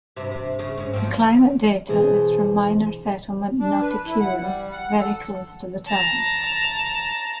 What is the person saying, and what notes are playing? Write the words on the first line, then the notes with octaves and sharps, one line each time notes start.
The climate data is from minor settlement Notikewin very close to the town.
G2 C3
C3
C#3
G#2 C#4
F3 C4
B2 E3 G#4 C5
D4
B4
E4
F#5
G3
F#5
A4
A5 A#5